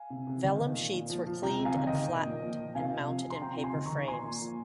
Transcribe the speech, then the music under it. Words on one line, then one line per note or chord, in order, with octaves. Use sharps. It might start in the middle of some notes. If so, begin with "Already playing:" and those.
Vellum sheets were cleaned and flattened and mounted in paper frames.
Already playing: F5 G#5
C3
C3
D#3
D#3
A#2
A#2
F3
F3
C3 G5 A#5
C3
F5 G#5
D#3
D#5 G5
D#3
A#2
A#2
F3
F3
C3 F5 G#5
C3
F3
F3
C6
C3 G5 A#5
C3
G#5 C6
D#3
A#5 C#6
D#3
A#2 G#5 C6
A#2
F3